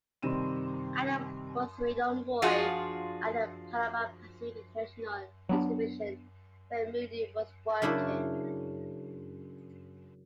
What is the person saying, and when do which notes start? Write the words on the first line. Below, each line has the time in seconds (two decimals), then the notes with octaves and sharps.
Adams was a young boy at the Panama-Pacific International Exhibition, where Mooney was working.
0.22 C3 D#3 G3 C4 D#7 E7
2.42 F3 D4 F4 F#4 G#4
5.49 F#3 B3 D4
7.82 F#2 C#3 D4 E4 E5